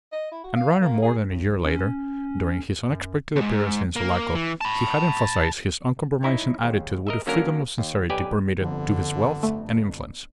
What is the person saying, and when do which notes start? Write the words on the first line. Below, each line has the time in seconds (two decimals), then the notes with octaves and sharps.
And rather more than a year later, during his unexpected appearance in Sulaco, he had emphasized his uncompromising attitude with a freedom of sincerity permitted to his wealth and influence.
0.12 D#5
0.32 E4
0.44 F#4
0.56 F5
0.81 A#3
1.02 G#4
1.29 B1
1.65 C#4
2.89 F#2
3.36 D#2 G#2
3.96 A#3
4.35 E3
4.61 A5 B5
6.23 D#4 E4 C#5
6.62 D#2 G#2
7.07 A#4 D#5 E5
7.26 D3 F#3 A#3 C#4 D4 A#4
7.78 D#2
8.10 B1 G4 B4 D5 G5 G#5
8.60 G1 F2 D3
9.43 A3